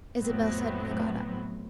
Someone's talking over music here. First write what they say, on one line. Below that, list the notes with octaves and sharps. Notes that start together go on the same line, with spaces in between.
Isabel suddenly got up.
F2 A2 F#3 B3 C4